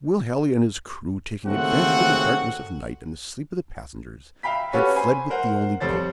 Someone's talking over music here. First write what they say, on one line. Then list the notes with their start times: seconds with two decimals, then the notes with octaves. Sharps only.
WILL HALLEY and his crew, taking advantage of the darkness of night and the sleep of the passengers, had fled with the only boat.
1.46 D#2 C#3 A3 C4 F#4 F#5
4.43 E5 F5 G5 B5 B6
4.73 C#4 F#4 G4 A4 B4 C#5
4.95 C5 G#5 B5
5.30 A#4 C5 F#5
5.80 F2 G3 A4 C5 C#5 A6